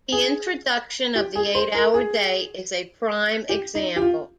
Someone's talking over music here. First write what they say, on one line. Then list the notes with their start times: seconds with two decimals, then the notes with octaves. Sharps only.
The introduction of the eight-hour day is a prime example.
0.12 G#4
1.15 G4
1.35 G#4
1.55 C5
1.75 A#4
1.94 G#4
3.49 G4
3.75 D#4
3.96 G4
4.01 F4